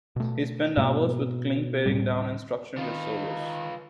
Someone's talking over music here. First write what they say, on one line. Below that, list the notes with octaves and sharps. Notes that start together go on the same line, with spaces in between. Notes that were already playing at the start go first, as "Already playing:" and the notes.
He spent hours with Clink paring down and structuring his solos.
B2 A3
G#2 B2 G#3 A#3
D2 A2 G3
D#3 F4 B4